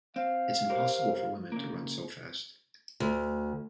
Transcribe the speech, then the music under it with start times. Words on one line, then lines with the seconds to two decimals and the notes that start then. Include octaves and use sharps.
It's impossible for women to run so fast.
0.16 C4 F5
0.70 G4 A#4 C5
1.52 C#3 A#3
3.00 D2